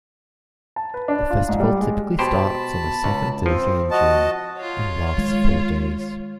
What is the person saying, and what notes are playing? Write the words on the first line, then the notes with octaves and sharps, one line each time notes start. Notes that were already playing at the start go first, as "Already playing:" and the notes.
The festival typically starts on the second Thursday in June and lasts four days.
A5
B4
D4
F4
G#2
G3
G#3
B2 G4 C5 A5 B5
C#2
F3 C4
F#4 D#5 A5
F4 C#5
D#3 G#3